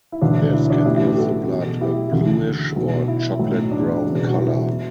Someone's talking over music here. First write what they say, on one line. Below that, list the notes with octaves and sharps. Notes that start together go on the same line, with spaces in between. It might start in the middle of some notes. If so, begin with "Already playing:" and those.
This can give the blood a bluish or chocolate-brown color.
E4
E1 D2 D3 F#3 D4
E4
D4 F#4
A1 A2 F#3 E4 G4
E4 G4
G4 B4
F#4 A4
E2 B2 F#3
E4 G4
D2 C#3 E3
B1 B2 F#3
E4
B1 A2 F#3
D4
E1 E2 C#3 F#3
F#4
E4
B2